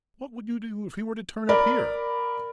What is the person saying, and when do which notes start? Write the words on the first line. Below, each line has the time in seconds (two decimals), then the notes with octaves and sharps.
What would you do if he were to turn up here?
1.49 A#4 D5 B5